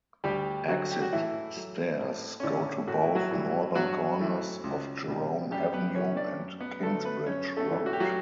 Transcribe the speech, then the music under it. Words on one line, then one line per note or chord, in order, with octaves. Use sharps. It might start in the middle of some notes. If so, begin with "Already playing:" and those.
Exit stairs go to both northern corners of Jerome Avenue and Kingsbridge Road.
D2 G3 G4
D3 F#3 F#4
G4
F#4
A2 E3 E4
F#3 A3
A2
C#4
D3 E3 A3 D4
A2 F#4
E4
F#3 F#4
E3 G3
G2 F#3 F#4
E3 A3
C#2
B2 G3
F#2 G3 G4
B3 B4
C#3 E3 A3 C#4 C#5
D4 D5
F#2
B3 B4
D3 F#3 A3 A4
B3 B4
F#2 C#4 C#5
A3 A4
E3 A3
F#4
G4
F#3 F#4